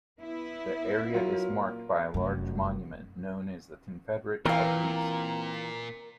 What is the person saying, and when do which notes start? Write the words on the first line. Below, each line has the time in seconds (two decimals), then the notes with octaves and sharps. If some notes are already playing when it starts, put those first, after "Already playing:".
The area is marked by a large monument known as the Confederate Obelisk.
0.20 B3 E4
1.14 F#3 F4 A#4
1.50 A#2
2.14 F1 F#2
4.46 A#2 E3 C4 A#4 F5